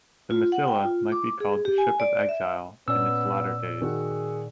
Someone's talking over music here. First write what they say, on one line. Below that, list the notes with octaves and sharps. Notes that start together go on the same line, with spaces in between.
The "Massilia" might be called "the ship of exile" in its latter days.
F4
F#5
G5
F4
D6
G#4
G4
G#5
D5
E5
A#2 B3 C#4 D5 E6
D#3 F#4 G#4